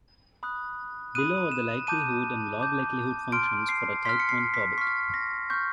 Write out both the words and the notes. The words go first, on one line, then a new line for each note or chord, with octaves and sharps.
Below are the likelihood and log likelihood functions for a type one Tobit.
B5 D#6 F#6
B5 D#6 F#6 D#7
E7
A5 D6 G6 D#7
A5 D6 G6
C6 F6 D7
C7
C6 F6 B6
C#7
C7
B6
C#6 F6 B6
A#6
C#6 F6 G6